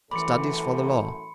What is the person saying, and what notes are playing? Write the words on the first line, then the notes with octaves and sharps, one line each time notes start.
Studies for the law.
F#2 A2 E3 A4 D5 B5 C6 C#7